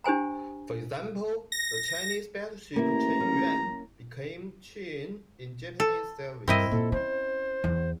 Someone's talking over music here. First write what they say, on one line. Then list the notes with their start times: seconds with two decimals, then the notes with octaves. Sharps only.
For example, the Chinese battleship "Chen Yuan" became "Chin'en" in Japanese service.
0.04 D4 G4 C5 G#5 A#5
1.52 A#6
2.76 A1 A#3 E4 A#5
3.20 A#3 C#4
5.80 A4
6.48 G2 C4 E4 A#4 D#5
6.71 A#2 A4
6.92 C#4 C5
7.64 E2